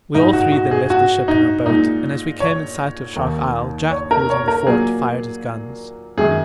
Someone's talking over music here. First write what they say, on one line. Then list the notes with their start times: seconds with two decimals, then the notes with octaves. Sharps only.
We all three then left the ship in our boat, and as we came in sight of Shark Isle, Jack, who was on the fort, fired his guns.
0.15 G#2 G#3 D#4
0.33 F#4
0.52 F#4
0.71 G#4
0.90 F#4
1.28 D#4
1.66 A#2 G#3 D#4
2.40 C#5
3.16 D#2 D#3 A#3
3.91 C#5
4.11 A#4
4.30 C#5
4.48 A#4
4.67 A#2 F#3 A#3 G#4
6.17 F#2 D#3 G#3 G#4